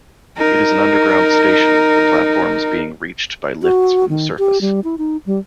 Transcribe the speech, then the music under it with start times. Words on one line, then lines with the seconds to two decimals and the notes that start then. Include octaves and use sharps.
It is an underground station, the platforms being reached by lifts from the surface.
0.38 D#4 A#4
3.62 F#4
4.09 D#3
4.39 G4
4.61 G3
4.84 E4
4.98 D#4
5.26 G3